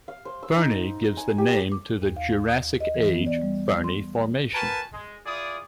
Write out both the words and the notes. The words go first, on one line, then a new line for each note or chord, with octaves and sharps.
Fernie gives the name to the Jurassic-Age Fernie Formation.
F5
C5
E6
D#4
G#5
G4
D6
D#2
F5
D#6
D#5
E3
B3
D5
G3
C6
F#4 A#4 B4 G#5 A5
G#3
E4 F4 G#4 D5 D#6